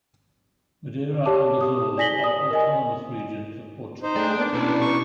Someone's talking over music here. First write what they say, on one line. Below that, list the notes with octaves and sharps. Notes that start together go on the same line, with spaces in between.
Madeira and Azores are Autonomous Regions of Portugal.
G4 C#5 A5 D6
G4 D#6
D5 G#5 A#6 B6 F#7 G7
D#6
A#4 D#5 G#5
D#4 C5
A3 G#4 D5 G5 A5
A#3 B3 D4
B2 C#4 E4
C#6